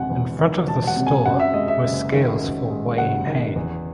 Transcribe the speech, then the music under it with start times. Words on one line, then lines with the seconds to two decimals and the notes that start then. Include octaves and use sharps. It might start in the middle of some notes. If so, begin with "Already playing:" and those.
In front of the store were scales for weighing hay.
Already playing: E1 C3 D#3 F#5 G#5
0.10 E2
0.39 D#3
0.67 E1 A5
0.87 F#5
0.96 C3
1.07 G#5
1.26 F#2 F#5
1.40 E5
1.54 G#3 D#5
1.68 E5
1.84 F#1
2.12 D#3
2.40 F#2
2.70 G#3
2.98 F#1 F#5
3.27 D#3
3.56 E2